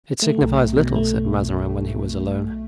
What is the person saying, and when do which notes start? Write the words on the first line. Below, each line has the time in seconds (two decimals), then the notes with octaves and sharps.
"It signifies little," said Mazarin, when he was alone.
0.22 A3
0.41 B1
0.59 B1
0.77 B2
0.96 A3